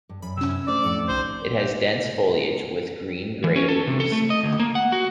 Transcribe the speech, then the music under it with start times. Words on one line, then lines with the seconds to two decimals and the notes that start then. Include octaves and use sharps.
It has dense foliage with green-grey leaves.
0.09 G2
0.22 F#2 B5
0.37 C3 C#4 E6
0.67 A3 D4 C5 D5
0.84 F2 A2 C#7
1.08 B1 D#3 C5
3.44 E3
3.56 C#4
3.68 A4
3.87 C3
4.00 A4
4.12 A3
4.30 D#5
4.44 D2
4.60 A#3
4.75 F#5
4.92 F#4